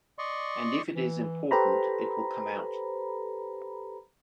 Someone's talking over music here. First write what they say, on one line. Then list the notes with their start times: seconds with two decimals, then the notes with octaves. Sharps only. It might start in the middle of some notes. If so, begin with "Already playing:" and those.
And if it is important it will come out.
0.19 D5 D#5 C6 C#6
0.95 E3
1.51 G4 A4 B4 C5 A#5 B5